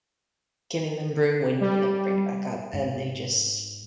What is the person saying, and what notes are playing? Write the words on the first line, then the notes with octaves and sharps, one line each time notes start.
giving them room, waiting for them to bring it back up, and they just
G3
G#2